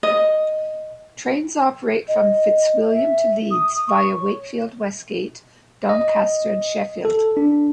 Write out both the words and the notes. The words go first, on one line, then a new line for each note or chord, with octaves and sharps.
Trains operate from Fitzwilliam to Leeds via Wakefield Westgate, Doncaster and Sheffield.
D#5
D#5
E5
D#6
C#6
C#5
D#5
A4
D4